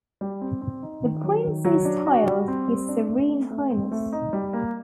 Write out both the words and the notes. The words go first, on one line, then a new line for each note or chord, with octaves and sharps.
The Prince is styled "His Serene Highness".
G3
C4
C4
D#4
D#3
F#3
D#3
F#3
D4
F#4
G3
C4
G3
D4
A3
C4
A3
C4
A3
D#4
G3
A#3